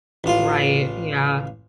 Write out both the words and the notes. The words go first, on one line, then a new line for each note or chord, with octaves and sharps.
Right, yeah.
A1 F4